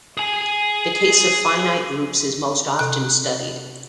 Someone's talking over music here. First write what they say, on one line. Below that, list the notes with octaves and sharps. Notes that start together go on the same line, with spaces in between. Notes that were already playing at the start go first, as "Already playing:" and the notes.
The case of finite groups is most often studied.
G#4 G#5
C3 F#6